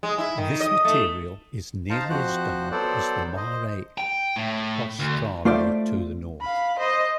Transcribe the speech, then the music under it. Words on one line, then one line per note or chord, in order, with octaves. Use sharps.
This material is nearly as dark as the Mare Australe to the north.
G#3
E4
D#3
D#5
A3
D#4 C5 F5 A5 A#5
F2 F3 F#4 C5 F#6
F#3 B3 A4 C5 D5
C5 D#5
G5
A2
D2
A3 F4 C5 D5 E5
F5 B5
C5 D#5